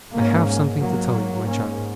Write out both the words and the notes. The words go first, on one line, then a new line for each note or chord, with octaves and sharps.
I have something to tell you, my child.'
G#2 A#3 C#4
G#2 F#3 A#3
G#2 A#3 C#4